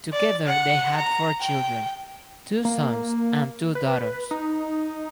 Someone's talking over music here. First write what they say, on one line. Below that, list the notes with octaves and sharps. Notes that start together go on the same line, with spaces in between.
Together they had four children; two sons and two daughters.
D5
F#5
A#5
G5
A#3
B4
D#4